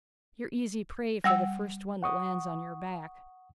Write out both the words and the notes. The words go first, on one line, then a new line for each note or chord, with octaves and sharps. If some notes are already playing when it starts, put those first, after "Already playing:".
You're easy prey for the first one that lands on your back.
G3 F#5 E6
F#5 C#6 D#6